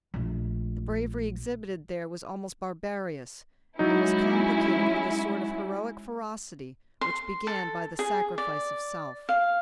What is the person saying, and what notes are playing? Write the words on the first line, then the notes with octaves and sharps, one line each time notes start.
The bravery exhibited there was almost barbarous and was complicated with a sort of heroic ferocity which began by the sacrifice of self.
A#1 A3
F#3 G#3 C#4 D#4 E4
C6
A4
G#4
D5
F5